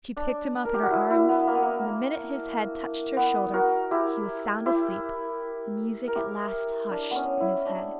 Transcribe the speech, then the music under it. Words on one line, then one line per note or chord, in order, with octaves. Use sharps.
She picked him up in her arms, and the minute his head touched her shoulder he was sound asleep, the music at last hushed in his head.
D4
A#4
G4
F#4
E4
E4
B3
A#3
B3
A#3
B3
F#4 A#4
E4 G4
E4 G4
A#4
E4 G4
D4
B3 C#4
E4
D4